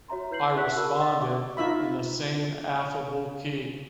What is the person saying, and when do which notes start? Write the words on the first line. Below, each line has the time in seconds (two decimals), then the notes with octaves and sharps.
I responded in the same affable key.
0.08 F#4 C#5 E5 A#5 C6
0.31 E4 B4 G6 C7 F#7
0.56 E5 F#5 C#6 F#6 B6
0.76 F#4 G#4 A#4 A5 B5 E6
0.98 D5 D#5 E6 A6
1.20 E5 C#6 D6
1.57 D#4 F4 E5 B5